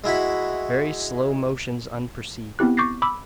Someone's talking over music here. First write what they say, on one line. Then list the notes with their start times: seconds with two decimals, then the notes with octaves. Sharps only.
Very slow motions unperceived.
0.04 G#3 E4 F#4 B5
2.59 B3 C4 E4 G4 F#6
2.77 C#6 D6 G6 A6 A#6 C7
3.02 B5 D6 E6